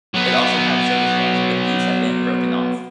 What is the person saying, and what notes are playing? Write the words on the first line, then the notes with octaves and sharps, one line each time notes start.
It also had soda straws, but these have been broken off.
F#3 B3